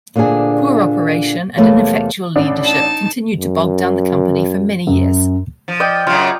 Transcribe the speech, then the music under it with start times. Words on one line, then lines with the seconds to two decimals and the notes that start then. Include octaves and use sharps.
Poor operation and ineffectual leadership continued to bog down the company for many years.
0.16 A#2 D3 C4 D4 G#4
1.57 E2 C3 A3 A#3 C#5 A5
2.36 A1 D4
2.65 D#4 A5
3.35 F#2
4.87 F#2
5.68 F3
5.80 D5 D#5 G5
6.07 F#2 C#3 F4